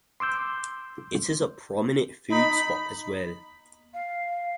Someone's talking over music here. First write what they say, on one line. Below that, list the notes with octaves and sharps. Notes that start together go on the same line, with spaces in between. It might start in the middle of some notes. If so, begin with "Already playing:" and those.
It is a prominent food spot as well.
C6 D6 E6 G6
D#4 B5
F5